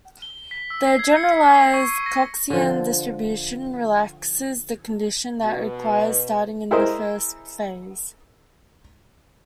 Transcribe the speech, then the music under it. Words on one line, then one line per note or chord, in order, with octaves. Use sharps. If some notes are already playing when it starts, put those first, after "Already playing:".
The generalised Coxian distribution relaxes the condition that requires starting in the first phase.
G7
B6
E6
C7
G#6
C#7
B6
C7
C#6
D#7
A#6
D3 F3
B2
E4 G#4 A#4 C5 D#5